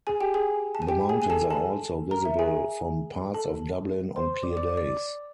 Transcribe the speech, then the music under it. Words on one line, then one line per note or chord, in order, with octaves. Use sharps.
The mountains are also visible from parts of Dublin on clear days.
G#4 G#5
G4 G5
G#4 G#5
A5
G#5
G4 G5
G#4 G#5
G#5
A4 A5
A4 A5
A#4 A#5
E5
G#4 G#5
A4 A5
C5 C6
D5 D6
D5 D6
D5 D6